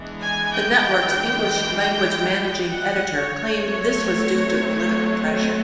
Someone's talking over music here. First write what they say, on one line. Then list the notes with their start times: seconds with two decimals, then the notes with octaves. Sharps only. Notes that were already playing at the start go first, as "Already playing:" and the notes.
The network's English-language managing editor claimed this was due to political pressure.
Already playing: E3 G#3 B3 D4
0.22 G#5
0.53 G5
2.70 F#5
3.17 C#5
3.63 F#3 A3 C4